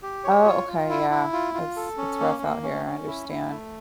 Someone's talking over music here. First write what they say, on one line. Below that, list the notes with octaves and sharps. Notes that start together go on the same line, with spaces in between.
Oh, okay, yeah. It's it's rough out here, I understand.
G4
C#5
F4
F4
E4
E4
F4
F4
A4
C#4
A#3
A#3
C#4
C#4
E4
E4
A3